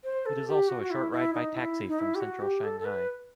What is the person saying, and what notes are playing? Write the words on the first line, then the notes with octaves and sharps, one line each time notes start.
It is also a short ride by taxi from central Shanghai.
C5
A4
G4
F#4
F#4
E4
E4
D#4
E4
D#4
E4
G4
F#4
G4
A4
A4
B4